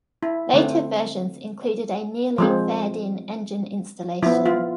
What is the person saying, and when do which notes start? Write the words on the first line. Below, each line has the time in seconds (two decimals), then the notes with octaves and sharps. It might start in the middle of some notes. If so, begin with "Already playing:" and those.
Later versions included a nearly faired-in engine installation.
0.23 E4
0.53 D3 A3 C4
2.38 F3 G#3 C4
4.22 F3 B3 E4
4.46 F4